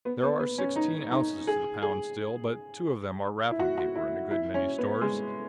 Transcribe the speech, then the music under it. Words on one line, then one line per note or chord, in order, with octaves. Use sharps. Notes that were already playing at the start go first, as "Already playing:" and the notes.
There are sixteen ounces to the pound still, but two of them are wrapping paper in a good many stores.
B3
B3
B3
C#4
D#4
D#4
G#4
G#4
E4
F#4
F#4
E4
E4
C#4
B3
G#3